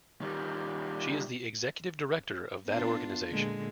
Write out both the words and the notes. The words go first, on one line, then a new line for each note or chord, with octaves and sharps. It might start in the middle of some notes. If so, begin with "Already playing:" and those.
She is the executive director of that organization.
D#3 G3
B3 D4 F4
A#2 D3 G#3